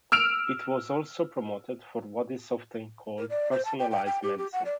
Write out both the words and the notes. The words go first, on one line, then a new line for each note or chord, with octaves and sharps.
It was also promoted for what is often called Personalized Medicine.
E6 F6 D7 F7
A#4
D5
C5
A5
G5
G5
G5
G4
G4
F#5
D5